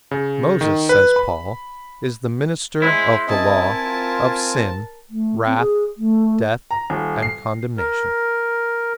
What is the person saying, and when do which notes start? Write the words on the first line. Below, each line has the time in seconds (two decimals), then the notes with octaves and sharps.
"Moses," says Paul, "is the minister of the Law, of sin, wrath, death, and condemnation."
0.11 C#3
0.61 D#3
0.89 B4
1.16 B5
2.82 G#3 E4 C5
3.28 C4 A#4 D#5 G#5 A5
3.86 F4
5.08 A3
5.46 C4
5.58 G#4
5.97 A3
6.71 A#5
6.90 D#1
7.22 C7
7.78 A#4